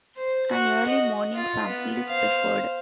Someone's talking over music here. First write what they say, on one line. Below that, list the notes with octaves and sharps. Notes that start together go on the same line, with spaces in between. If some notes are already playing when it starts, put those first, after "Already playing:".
An early morning sample is preferred.
C5
F#4
D#5
F4
B3
C5 F5